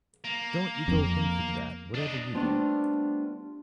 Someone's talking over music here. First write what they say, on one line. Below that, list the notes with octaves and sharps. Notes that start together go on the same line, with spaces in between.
Don't you go thinking that, whatever you do.
A#3
F2
D4 D#5
G3 A3 B3 C4 D4 F4